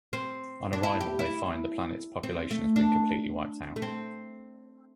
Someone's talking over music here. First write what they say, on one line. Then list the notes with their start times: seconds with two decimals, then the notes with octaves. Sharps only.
On arrival, they find the planet's population has been completely wiped out.
0.13 C4
0.73 D4
0.83 E4
1.01 G4
1.19 E4
2.23 C4
2.51 A3
2.76 D4
3.76 A3
3.82 C4